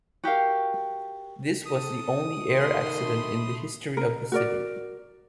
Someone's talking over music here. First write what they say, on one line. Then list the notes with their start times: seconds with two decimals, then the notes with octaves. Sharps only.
This was the only air accident in the history of the city.
0.24 F#4 G4 A#4 F5
1.66 A4 D#6
2.50 D#3 A3 B5 C6
3.97 A#4
4.32 F#4 A#4 D5